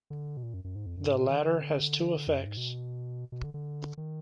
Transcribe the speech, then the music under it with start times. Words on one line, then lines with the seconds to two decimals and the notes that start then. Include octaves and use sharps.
The latter has two effects.
0.10 D3
0.37 B2
0.43 A#2
0.54 F#2
0.64 F#2
0.75 G#2
0.86 F2
0.97 F#2
1.08 G#2
1.19 A#2
1.29 D#3
1.40 D3
2.27 F2
2.36 F#2
2.46 G#2
2.57 B2
3.32 B2
3.44 D3
3.54 D3
3.97 D#3